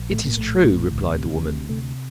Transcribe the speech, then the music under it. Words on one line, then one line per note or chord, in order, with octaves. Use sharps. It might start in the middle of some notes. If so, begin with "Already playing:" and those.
"It is true," replied the woman.
Already playing: A#1
A2 A3
A#3
A#1 A3
A2
D2
C3
D2
C3 A3